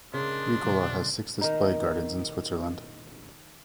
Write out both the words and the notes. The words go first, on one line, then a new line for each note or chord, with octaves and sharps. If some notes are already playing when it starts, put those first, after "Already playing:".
Ricola has six display gardens in Switzerland.
C#3 G#3 D4 A#4 C6
B2 D3 F#3
D#3 D#4